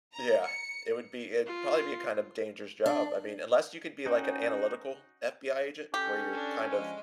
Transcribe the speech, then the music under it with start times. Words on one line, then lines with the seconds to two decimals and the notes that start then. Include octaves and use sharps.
Yeah, it would be, it'd probably be a kind of dangerous job. I mean, unless you could be, like, an analytical FBI agent where you're kind of
0.14 A#5
0.47 C#7
1.46 F4
2.86 D4
4.06 C#4 D#4 F#4 G5
5.94 C#4 G4 A4
6.33 D4
6.70 F3 G#3 D#5